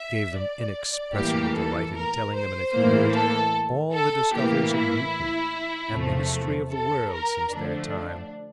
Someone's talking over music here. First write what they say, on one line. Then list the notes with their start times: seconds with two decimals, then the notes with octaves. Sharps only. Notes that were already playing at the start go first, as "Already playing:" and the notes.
I gave them inexpressible delight in telling them, in a few words, all the discoveries of Newton, and the history of the world since their time.
Already playing: E5
0.35 D5
1.14 A2 E3 G3 A#3 G4
1.55 A4
1.94 A#4
2.34 C5
2.74 A2 E3 A#3
3.13 A4
3.93 A4
4.34 A2 E3 A#3 G4
4.73 E4
5.92 E2 C3 F3 A3
6.71 A4
7.12 A#4
7.52 F2 D3 F3 A3 D4